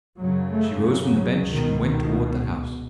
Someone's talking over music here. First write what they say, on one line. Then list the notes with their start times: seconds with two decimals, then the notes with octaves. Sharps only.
She rose from the bench and went toward the house.
0.17 F#2 C#3 F#3
0.51 A3
0.83 F#3
1.49 C#2 B2 D#3
1.82 D#3